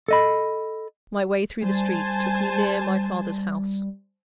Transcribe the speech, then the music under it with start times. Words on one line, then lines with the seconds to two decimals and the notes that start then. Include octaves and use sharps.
My way through the streets took me near my father's house.
0.08 A4 D#5 B5
1.63 G3 C5 G#5 A5